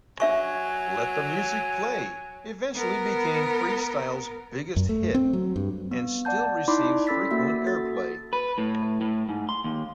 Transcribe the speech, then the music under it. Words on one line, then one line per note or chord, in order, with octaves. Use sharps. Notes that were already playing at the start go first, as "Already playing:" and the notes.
"Let the Music Play" eventually became freestyle's biggest hit, and still receives frequent airplay.
F#3 D4 E5 G#5 C#6
B3 A#4
F#2
A3
C4
F#3
G2
B3
D5 F#5 A5 G6
D#4 E4 D5 B5 C6 D6
C#4 A4 B5 E6 A6 B6
A#3 F#4 E5 E6 B6
F#4 A4 A6
B4
A2
A2
G#2
C6
D#2